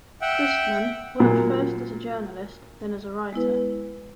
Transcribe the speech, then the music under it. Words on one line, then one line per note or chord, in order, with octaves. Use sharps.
Kristmann worked first as a journalist, then as a writer.
E5 F#5 G5
A#2 F#3
G#3 B3 E4 B4